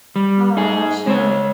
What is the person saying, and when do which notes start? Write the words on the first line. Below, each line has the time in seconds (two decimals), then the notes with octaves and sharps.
Aw, shoot.
0.16 G3
0.57 D#4 G#4
1.07 G#3 C#5